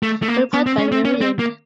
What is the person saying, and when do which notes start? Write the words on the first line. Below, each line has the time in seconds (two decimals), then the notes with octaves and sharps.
Report by Maryland.
0.03 A3
0.22 A3
0.28 A#3
0.54 B3
0.66 C4
0.79 C#4
0.92 C4
1.05 C#4
1.21 C4
1.39 A#3